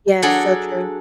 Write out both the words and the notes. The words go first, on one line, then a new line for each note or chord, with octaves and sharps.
Yeah, so true.
F#3 D4 G#4 A4 F#5